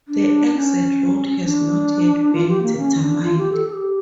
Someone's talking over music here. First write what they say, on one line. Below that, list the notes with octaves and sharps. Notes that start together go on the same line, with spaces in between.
The exact route has not yet been determined.
D4
C#4
D4
F4
G4
A#3
C#4
D4
F4
G4
A4
A4
G4